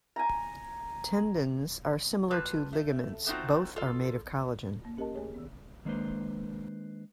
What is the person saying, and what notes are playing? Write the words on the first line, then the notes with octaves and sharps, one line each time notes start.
Tendons are similar to ligaments; both are made of collagen.
G#5 A#5
G3 F4 B4 A5
A3
A3 B3 C4 D#4 F4 F#4
F4 A4
A#3
C#4 G4 A#4 D#5 A5
A3 G4 G#4 C#5
D#3 B3
D#3 G#3 A#3 D4 B4 C5